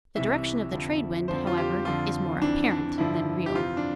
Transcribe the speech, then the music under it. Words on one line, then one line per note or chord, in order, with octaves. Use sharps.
The direction of the trade wind, however, is more apparent than real.
C2 C3 E3 E5
F2 D3 F3
F2 D3 F3 C5
F4
G4
F2 D3 F3 F4
F2 E3 D4
D4
G2 D3 F3 E4
G4
F2 C3 E3 F4
D4